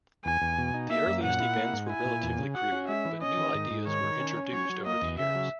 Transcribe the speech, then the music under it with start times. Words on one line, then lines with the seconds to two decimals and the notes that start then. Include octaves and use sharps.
The earliest events were relatively crude, but new ideas were introduced over the years.
0.25 E2 G#5
0.42 E2
0.58 B2
0.74 D#4
0.91 A#3 E5
1.07 F#2
1.23 A#2 F#5
1.40 E4
1.56 A#3
1.73 G#2
1.90 E4 G#5
2.06 A#2
2.23 E2
2.38 C#3
2.55 F#4 F#5
2.72 C#4
2.88 G#3 E5
3.05 E3
3.22 C#4 D#5
3.37 D#3
3.54 G#2
3.70 G#2
3.87 D#3 C#5
4.04 D#3
4.20 C#4
4.37 C#4
4.53 F#3 C#5
4.69 F#3
4.86 A#3 D#5
5.02 E2
5.19 C#3 E5
5.35 F#3